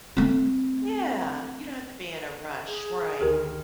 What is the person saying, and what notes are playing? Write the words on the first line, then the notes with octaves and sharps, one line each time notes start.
Yeah, you don't have to be in a rush, right.
A3 C4
G#4
D2 D#3 G4 A#4